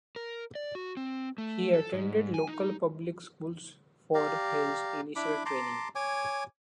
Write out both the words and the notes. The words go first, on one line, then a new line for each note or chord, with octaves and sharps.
He attended local public schools for his initial training.
A#4
D5
F#4
C4
A3
A4
G#2
G#5
D#4
G4 D5 F5 A#5
D4 E4 B5 D6
A5 A#5 C6 D6
C#5 G#5 D6